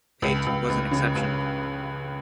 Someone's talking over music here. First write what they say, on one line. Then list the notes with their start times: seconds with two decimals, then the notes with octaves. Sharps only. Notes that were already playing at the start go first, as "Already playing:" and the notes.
Paete was an exception.
0.22 C#2
0.47 C#2
0.70 C#2
0.91 C#3
1.15 C#2